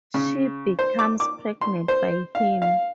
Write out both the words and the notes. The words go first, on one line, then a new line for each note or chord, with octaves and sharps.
She becomes pregnant by him.
C#3
C5
D6
D6
C6
C5
F5
F5